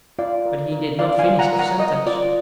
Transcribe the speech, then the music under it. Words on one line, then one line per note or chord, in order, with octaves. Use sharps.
But he did not finish the sentence.
F4 D5 F5
A#4
A#4
F4 D5 F5
F5 G#5
F4
F#5 A#5
A#4
F#5 A#5
A#4 D#5
F4 D5